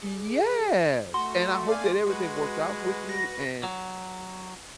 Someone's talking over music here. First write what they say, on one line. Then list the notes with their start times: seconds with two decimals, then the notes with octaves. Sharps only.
Yes, and I hope that everything works out with you, and
0.02 G#4 D5
1.14 A3 F#4 C6
1.68 D5 F5 G#5
2.06 G#3 F#4 B4
3.09 A#6
3.63 F#3